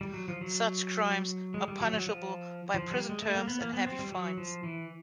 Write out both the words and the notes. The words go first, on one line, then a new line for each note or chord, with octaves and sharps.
Such crimes are punishable by prison terms and heavy fines.
G3
F#3
F3
F#3
G#3
G3
F#3
F#3
F3
F3
G3
G#3
A3
A#3
B3
A#3
B3
C4
G3
F#3
F3
E3